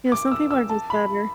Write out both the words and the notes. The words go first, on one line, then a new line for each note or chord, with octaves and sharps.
Yeah, some people are just better.
D6
E6
E6
A5
B5